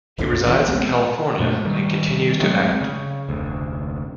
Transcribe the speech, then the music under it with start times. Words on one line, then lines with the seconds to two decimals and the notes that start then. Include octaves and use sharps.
He resides in California and continues to act.
0.18 F#1 B1 F2 D3
0.44 E1 E2 C#3
0.68 C2 G#3 B3 C4
1.40 G2 B2 G#3 A3
1.65 D#3 G3
2.40 F#3 G#3 A3 C4
2.81 C#3
3.29 F1 D2